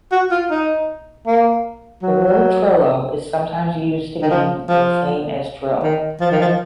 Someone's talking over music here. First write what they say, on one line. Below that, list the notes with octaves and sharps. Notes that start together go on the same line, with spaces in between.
The word "trillo" is sometimes used to mean the same as trill.
F#4
F4
D#4
A#3
F#3
D#3
F3
F3
D#3
F3
D#3
F3